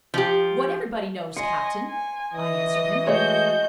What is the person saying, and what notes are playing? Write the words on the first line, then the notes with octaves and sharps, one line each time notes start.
"What everybody knows, captain," I answered him.
F3 G4
D#5 G#5 C6 C#7
G#5
E3 D#5 D#6
G#3 A3 F#4 G#4 C#5 D#5 G6